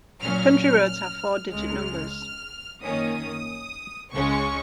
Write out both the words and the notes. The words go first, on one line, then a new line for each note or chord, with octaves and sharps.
County roads have four-digit numbers.
A#2 F#3 C#4 F6
C#2 C#3 G#3 F6
F#2 D#3 A#3 C#4 D#6
C#2 C#3 G#3 C#4 C#6